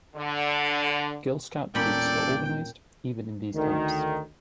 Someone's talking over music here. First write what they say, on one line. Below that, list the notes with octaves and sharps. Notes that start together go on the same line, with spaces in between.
Girl Scout troops were organized, even in these camps.
D3
E1 A#2 C#4 D4 A4 D5 G5 B5
D2 D#3